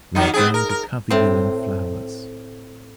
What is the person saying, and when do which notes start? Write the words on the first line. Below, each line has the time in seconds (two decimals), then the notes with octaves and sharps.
We are going to cover you in flowers.
0.15 D#3 F#3 D#4
0.34 B3 C4 G#4
0.54 A#4
0.69 A#4
1.11 A2 C4